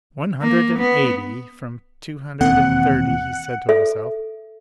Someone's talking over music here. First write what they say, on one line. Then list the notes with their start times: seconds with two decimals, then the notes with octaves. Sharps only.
"One hundred and eighty . . . . . . . from two hundred and thirty," he said to himself.
0.42 A#3
0.79 B3
2.41 E1 D#2 C4 F#5
3.69 A4 E5